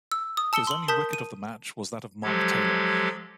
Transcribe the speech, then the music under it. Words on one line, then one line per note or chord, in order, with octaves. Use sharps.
His only wicket of the match was that of Mark Taylor.
E6
D#6
A5 E6 C#7 E7 G7
C6 F#7
A#4 A5 D#6 G6 B6
D#7
F3 F#3 G#3 G4 A4 G#6